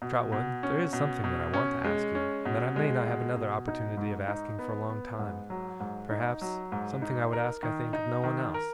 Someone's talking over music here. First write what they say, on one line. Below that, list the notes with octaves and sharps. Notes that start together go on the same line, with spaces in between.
'Trotwood, there is something that I want to ask you, and that I may not have another opportunity of asking for a long time, perhaps--something I would ask, I think, of no one else.
B2
B2
C#4
B2
B2
C#4
G#3
C#4
B2
G#3
B2
B2
D#4
G#2
D#4
B3
B3
G#2
F#3
G#2
D#4
F#3
G#2
D#4
A#4
D#3
D#4
D#3
A#4